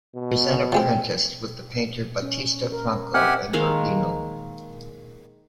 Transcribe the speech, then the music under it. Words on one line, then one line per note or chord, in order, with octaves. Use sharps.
He was then apprenticed with the painter Battista Franco in Urbino.
B2
F3 G#3 C4 C#4 G5
C#4
A#4
C4 G4 D#5 E5 F#5 G#5 F6
D#3 G#3 A#3 F5